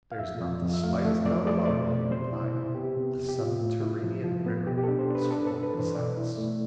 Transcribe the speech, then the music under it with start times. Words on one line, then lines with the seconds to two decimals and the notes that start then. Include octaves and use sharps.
"There's not the slightest doubt about it," he replied, "a subterranean river is flowing beside us."
0.12 F5
0.19 F2 E5
0.41 F2
0.62 F2
0.74 E5
0.83 A3 F5
0.94 D5
1.05 A3 E5
1.25 F2 D5
1.47 A3 D5
1.57 C5
1.65 B2 D5
1.90 B2
2.11 C3 C5
2.32 E4
2.53 E4
2.75 B3 G4
2.97 C3
3.18 F2
3.29 G4
3.39 A2 F4
3.61 A2
3.82 E4
4.03 F3
4.24 F3
4.46 B3
4.67 B2 G4
4.78 G4
4.83 A4
4.88 D4
4.99 C5
5.10 D4 B4
5.31 D4 A4
5.47 A4
5.53 G2
5.63 B4
5.74 E3 C5
5.95 B2 D5
6.17 E4
6.38 A3